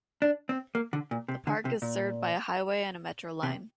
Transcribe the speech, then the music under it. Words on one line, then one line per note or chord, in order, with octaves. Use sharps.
The park is served by a highway and a metro line.
D4
C4
A#3
D3
A#2
C3
D3
C3
A#2
C3